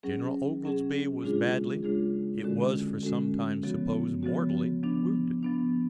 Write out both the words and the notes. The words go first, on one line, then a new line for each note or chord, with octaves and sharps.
General Oglesby was badly, it was for some time supposed mortally, wounded.
F#3 C#4 G#4
F#3 C#4 G#4
C#3 G#3 D4 F4 G#4
C#3 G#3 D4 F4 G#4
D3 G#3 C#4 F#4 A4
D3 G#3 C#4 F#4 A4
C#3 F3 B3 F#4
C#3 F3 B3 F#4
F3 B3 D4
F3 B3 D4